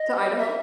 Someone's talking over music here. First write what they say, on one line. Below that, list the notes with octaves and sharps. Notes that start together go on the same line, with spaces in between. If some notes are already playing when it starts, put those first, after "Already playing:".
To Idaho?
Already playing: D#5
E5